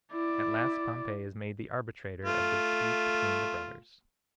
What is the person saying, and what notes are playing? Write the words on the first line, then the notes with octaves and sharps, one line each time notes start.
At Last Pompey Is Made The Arbitrator Of The Dispute Between The Brothers.
E4 D5
A3 F4